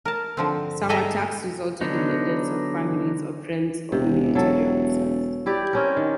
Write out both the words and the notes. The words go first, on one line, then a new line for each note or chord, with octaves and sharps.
Some attacks resulted in the deaths of the families or friends of military officers.
A#4 A5
D3 F3 C4
G#4 A4 D#5 E5 G#5 A#5
D3 F#3 B3 D#4
E1 C3
F#3 A4
E4 G4 D5
C4 C#4 A#4
D#3